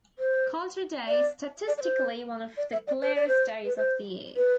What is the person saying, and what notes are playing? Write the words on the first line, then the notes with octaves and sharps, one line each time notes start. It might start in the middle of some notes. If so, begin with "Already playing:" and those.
Culture Day is statistically one of the clearest days of the year.
C5
D5
D5
D5
C5
D5
E5
D5
C5
D5
C5
B4
C5
B4